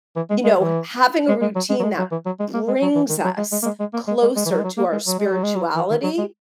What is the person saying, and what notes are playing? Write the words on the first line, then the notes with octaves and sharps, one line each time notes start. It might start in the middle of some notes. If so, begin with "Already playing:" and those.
you know, having a routine that brings us closer to our spirituality,
E3
G#3
G#3
E3
G#3
G#3
F#3
G#3
F#3
G#3
F#3
E3
F#3
G#3
A#3
G#3
F#3
E3
D#3
F#3
G#3
G#3
A#3
G#3
G#3
A#3
G#3
G#3
G#3
E3
F#3
G#3
F#3
A#3
G#3
F#3
G#3
F#3
G#3
F#3
E3
D#3
F#3
G#3